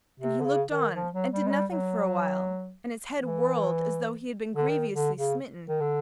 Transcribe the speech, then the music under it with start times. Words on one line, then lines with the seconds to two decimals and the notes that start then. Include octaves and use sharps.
And he looked on and did nothing for a while, and his head whirled as though he had been grievously smitten.
0.20 C3
0.40 D3
0.45 C#3
0.71 D#3
0.95 F3
1.14 F#3
1.32 G3
1.47 G#3
1.51 G3
1.70 F#3
3.19 E3
4.56 D3
4.69 D#3
4.93 D3
5.17 C#3
5.69 D#3
5.80 D3